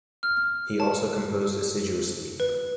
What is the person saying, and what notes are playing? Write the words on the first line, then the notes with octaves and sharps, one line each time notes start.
He also composed assiduously.
F6
A5
B4